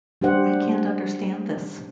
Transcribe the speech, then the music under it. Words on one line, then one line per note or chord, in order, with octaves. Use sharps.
I can't understand this!
G3 D4 G4 C5 F#5